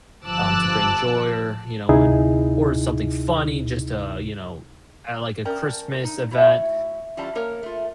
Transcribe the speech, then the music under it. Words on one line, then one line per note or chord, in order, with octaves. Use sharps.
um, to bring joy or, you know, when or something funny just to, you know, kinda like a Christmas event,
G1 F3 A5 D6 E6 F#6
D2 C3 D#4 E4 G#4
C#4 A#4 D5 G5 A5
D#4
A3 E4 F#4 C#5 E5
E3 G3 C#4 F4 D5 A5
A#3 A#4 C#5
A3 F4